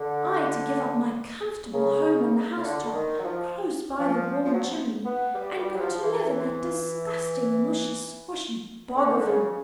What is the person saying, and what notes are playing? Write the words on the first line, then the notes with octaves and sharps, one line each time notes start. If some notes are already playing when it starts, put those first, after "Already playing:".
I to give up my comfortable home on the house-top, close by the warm chimney, and go to live in that disgusting mushy-squshy bog of yours!
Already playing: D3
C#3
C#3
D3
D3
D#3
F#3
F3
F3
F3
F#3
F3
B3
G3
G3
F#3
F3
E3
E3
D3
D#3
D3
C#3